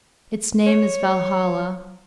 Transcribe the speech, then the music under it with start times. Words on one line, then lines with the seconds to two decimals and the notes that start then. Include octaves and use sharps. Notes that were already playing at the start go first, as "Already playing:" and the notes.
Its name is Valhalla.
0.66 C#5